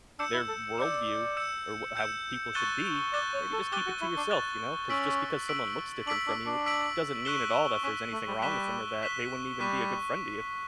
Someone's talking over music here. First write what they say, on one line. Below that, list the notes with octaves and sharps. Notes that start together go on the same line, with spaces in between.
their worldview or w how people should be, maybe just keep it to yourself, you know? 'Cause just because someone looks different from you, doesn't mean at all that there's anything wrong with 'em or that they wouldn't even be a good friend to you.
D4 E6 G6 C#7 E7
E4
A4
D5 E6 G6 C#7 E7
E6 G6 C#7 E7
E6 G6 C#7 E7
C#6 F#6 A6 E7 G7
D5 C#6 F#6 A6 E7 G7
C#5
A4
G4 C#6 F#6 A6 E7 G7
F#4
E4
D4
C#6 F#6 A6 E7 G7
C#4 E6 B6 D7 F#7
E6 B6 D7 F#7
D4 E6 B6 D7 F#7
D4
D4
E6 B6 D7 F#7
C#6 F#6 B6 E7 G7
C#4 C#6 F#6 B6 E7 G7
A3
G3
G3 C#6 F#6 B6 E7 G7
C#6 F#6 B6 E7 G7
G3 C#6 F#6 B6 E7